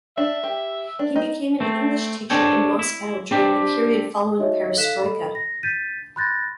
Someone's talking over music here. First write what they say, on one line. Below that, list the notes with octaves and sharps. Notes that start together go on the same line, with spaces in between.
He became an English teacher in Moscow during the period following perestroika.
D4 E5
G4
D4
D#4
A3 C4
C4 D4 A4 C#5 G5
E4
C4 D4 G4
D#4 F#4 C#5 D#5 E5
A4 F5 F#6 B6 E7
A4 D#5 B5
A#6
G6 A6 B6 D#7
B5 C6 F#6 G6 A6 A#6